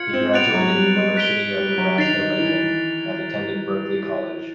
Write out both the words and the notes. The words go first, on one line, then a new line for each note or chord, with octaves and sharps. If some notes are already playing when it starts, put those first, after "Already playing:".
He graduated University of Nebraska-Lincoln and attended Berklee College.
Already playing: F4 G#6 C#7 F#7
C4
B3 F#6 A6 D7 F7
F#3
G3
G#3
F#6 B6 D7 G7
G3
F#3
D#3 A6 C7 F7
D#3
E3